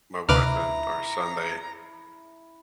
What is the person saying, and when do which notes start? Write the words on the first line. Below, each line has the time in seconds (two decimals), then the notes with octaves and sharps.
my wife and our son, they
0.29 D2 C3 E4 B4 A#5 D6 F6